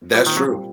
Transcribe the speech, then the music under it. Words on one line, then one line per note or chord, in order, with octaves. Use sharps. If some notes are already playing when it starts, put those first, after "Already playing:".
That's true.
A#2 G3
D#3
C4
F#3
G3